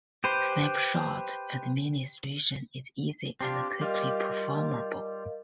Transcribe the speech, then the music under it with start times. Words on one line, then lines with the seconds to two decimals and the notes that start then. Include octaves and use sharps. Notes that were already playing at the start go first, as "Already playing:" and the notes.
Snapshot administration is easy and quickly performable.
0.24 G4 B4 C5
3.41 C4 D4 F4 G4
3.81 G3 F4 A#4 D#5 F5